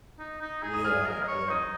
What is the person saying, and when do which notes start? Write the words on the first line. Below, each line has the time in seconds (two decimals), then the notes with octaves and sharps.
Yeah, yeah.
0.19 D#4
0.41 D#4
0.63 G#4
0.74 D#6
0.84 G#4 F6
1.06 A#4
1.23 D#5
1.28 C#5
1.49 D#4 D#6